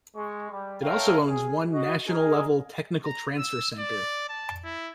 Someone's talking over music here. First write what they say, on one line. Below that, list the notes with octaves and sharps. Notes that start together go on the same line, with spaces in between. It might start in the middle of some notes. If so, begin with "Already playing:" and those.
It also owns one National-level Technical Transfer Center.
G#3 C#6
G3
A4 A#4 C#5 E5 F5 G5
G#4
F#4 D#5
G#4 A#4 D#5
A#5
E6
D5
A5
E4